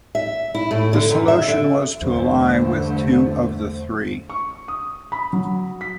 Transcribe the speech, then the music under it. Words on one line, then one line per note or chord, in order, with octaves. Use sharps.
The solution was to ally with two of the three.
E5
E4
A2
D3
F#2
E5
D3
E2 G2 D3 A3 C5
C#6
D#6
B5
F#3
B6